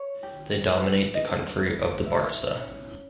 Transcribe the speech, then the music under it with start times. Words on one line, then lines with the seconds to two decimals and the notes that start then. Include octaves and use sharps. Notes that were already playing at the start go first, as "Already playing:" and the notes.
They dominate the country of the Bârsa.
Already playing: C#5
0.23 G4
0.69 B4
1.15 D#5
1.60 B4
2.06 E5
2.52 C#4